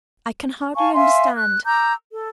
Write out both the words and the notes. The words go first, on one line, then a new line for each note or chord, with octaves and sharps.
I can hardly understand.
F5 G#5 A5 C#6
E5 F5 G#5 C6
F#6
A#5 D6 E6 G6
A4